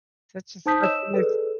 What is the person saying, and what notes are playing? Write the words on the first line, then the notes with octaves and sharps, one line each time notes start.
Such a such a nice
D#4 C5 A5 D#6 G6 B6
C#5 D#5 E6 E7
G#4 A4 B4 D5